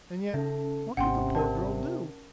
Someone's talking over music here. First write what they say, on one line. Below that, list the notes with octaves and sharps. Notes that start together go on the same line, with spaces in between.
And yet, what could the poor girl do?
C#3 C#4 D#4 A4 E5
G#1 C3 B3 C#4 F#5 G5 C6
A#4 D5 A5